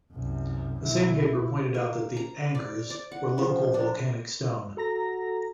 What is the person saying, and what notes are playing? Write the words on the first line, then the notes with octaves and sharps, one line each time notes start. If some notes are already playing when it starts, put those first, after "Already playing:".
The same paper pointed out that the "anchors" were local volcanic stone.
C2 F#2
B1 E4
A#3
A#5
D5
D5
F#5
F3
D4
F#4 A4 A#5 A#6